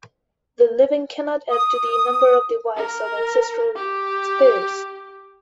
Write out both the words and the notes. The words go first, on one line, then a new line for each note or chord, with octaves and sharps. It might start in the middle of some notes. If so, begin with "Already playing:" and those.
The living cannot add to the number of the wives of ancestral spirits.
D#6
A#4
G4